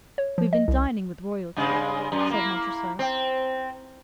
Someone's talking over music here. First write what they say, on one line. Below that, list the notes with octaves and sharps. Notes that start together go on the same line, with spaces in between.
"We have been dining with royalty." said Montresor.
C#5
F3
D#5
C2
G2 C#3 G#3
F#2
A#3 E4
C4